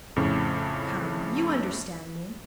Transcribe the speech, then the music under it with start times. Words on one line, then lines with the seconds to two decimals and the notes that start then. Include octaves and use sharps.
"Come, you understand me."
0.16 F2 A2 C#3